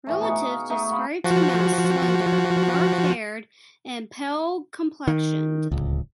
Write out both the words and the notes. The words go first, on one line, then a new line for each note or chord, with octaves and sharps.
Relatives described him as slender, dark-haired, and pale-complexioned.
A2 E3 A3
B2 D#4 G#4 C#6
D#5
F5
A3 D#4 F#4
B3 F4 B5
F3 F#4
D#3
D1 C#2